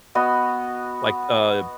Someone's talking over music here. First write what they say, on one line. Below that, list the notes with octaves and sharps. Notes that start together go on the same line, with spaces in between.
like, a
B3 F#4 D#5